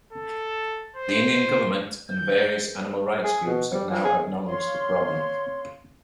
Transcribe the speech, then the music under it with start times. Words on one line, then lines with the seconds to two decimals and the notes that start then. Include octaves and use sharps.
The Indian government and various animal-rights groups have now acknowledged the problem.
0.13 A4
0.96 C5
2.10 G6
3.24 G#4
3.46 B2
3.73 G3
3.90 F3
4.04 G#4
4.48 C#5 F5 C6